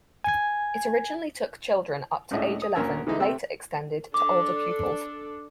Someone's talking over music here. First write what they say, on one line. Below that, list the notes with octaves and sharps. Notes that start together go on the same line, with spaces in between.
It originally took children up to age eleven, later extended to older pupils.
G#5 G#6
C#2 A2 D4 G#4 D#5 E5
D#6
D2 A#2 C#4 A#4 G#5 E6
D3 E3 G#3 D#4 E4
C3 A3 C4 E6
D4 A4 D6